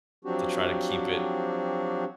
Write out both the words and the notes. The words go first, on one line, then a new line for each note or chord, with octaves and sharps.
to try to keep it,
F3 F#3 C4 D4 F#4 G4